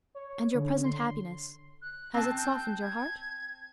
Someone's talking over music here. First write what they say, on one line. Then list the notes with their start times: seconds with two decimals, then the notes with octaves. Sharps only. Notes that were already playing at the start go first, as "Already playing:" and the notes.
"And your present happiness, has it softened your heart?"
0.15 C#5
0.54 D3
0.84 C6
1.82 F#6
2.14 C4 A5
2.36 G6
2.82 G#6